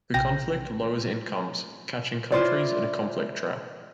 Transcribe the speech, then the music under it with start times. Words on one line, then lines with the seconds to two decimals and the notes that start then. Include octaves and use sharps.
The conflict lowers incomes catching countries in a conflict trap.
0.14 A#1 C3 G5 A#6
2.32 E4 F4 C5 D5